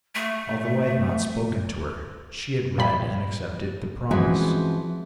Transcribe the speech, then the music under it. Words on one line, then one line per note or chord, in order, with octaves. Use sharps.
Although I had not spoken to her, she had read and accepted the promise.
A3
A#2 G3 B5
E3 F3 G#3 C4 C#4 F#4